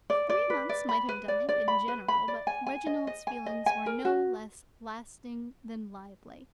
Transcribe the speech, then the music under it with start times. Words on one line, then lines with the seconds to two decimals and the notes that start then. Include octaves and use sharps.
Three months might have done it in general, but Reginald's feelings were no less lasting than lively.
0.10 D5
0.29 D5
0.50 B4
0.69 D5
0.89 B5
1.09 B4
1.28 D5
1.49 D5
1.68 B5
1.88 B4
2.08 B5
2.28 D5
2.47 G#5
2.67 G#5
2.86 D#5
3.07 D#5
3.27 G#5
3.46 D#5
3.66 G#5
3.86 A#4
4.05 F#4